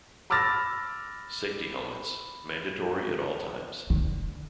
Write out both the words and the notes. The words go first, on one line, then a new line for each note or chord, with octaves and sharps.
Safety helmets: Mandatory at all times.
B5 D6 E6 F6 A6 A#6
D3